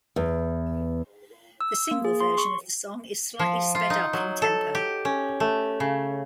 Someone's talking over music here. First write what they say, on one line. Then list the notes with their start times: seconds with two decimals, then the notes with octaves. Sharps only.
The single version of the song is slightly sped up in tempo.
0.16 E2
1.61 E6
1.91 A#3
2.05 G#4
2.20 C6
2.38 C#6
3.39 F3
3.75 F4
3.90 D#4
4.13 F#3
4.42 A4
4.75 G4
5.05 C#4
5.40 A3
5.80 C#3